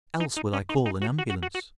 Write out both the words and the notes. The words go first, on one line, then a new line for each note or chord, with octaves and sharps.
"Else will I call an ambulance."
D#4
D#4
C#4
D#4
D#4
F#4
F#4
F#4
F#4
F#4